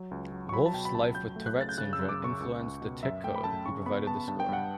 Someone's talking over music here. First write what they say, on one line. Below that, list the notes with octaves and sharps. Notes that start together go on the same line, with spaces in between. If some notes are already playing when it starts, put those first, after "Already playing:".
Wolff's life with Tourette syndrome influenced "The Tic Code"; he provided the score.
Already playing: F#3
C#2
F#3
C#6
F#3 B5
A5
B2 G5
B5
C#2 A5
F#3 G6
A3
F#6
C#3 A6
G6
C#3 F#6
E6
F#2
D6
C#3 C#6
C#2
C#2
B2
F#2 E5
A3 G5
B5
F#2 A5
C#3 C#6
B3 B5
B3 A5
G2 A5
G5
G2 F#5